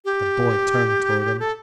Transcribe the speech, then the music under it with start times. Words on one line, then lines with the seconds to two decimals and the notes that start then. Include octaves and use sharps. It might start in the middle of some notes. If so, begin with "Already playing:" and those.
The boy turned towards him.
0.05 G4
1.40 A4